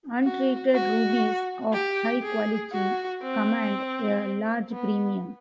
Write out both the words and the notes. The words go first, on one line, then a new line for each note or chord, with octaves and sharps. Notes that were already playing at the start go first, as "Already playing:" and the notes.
Untreated rubies of high quality command a large premium.
F#4
F#4
G4
G#4
F#4
C4
B3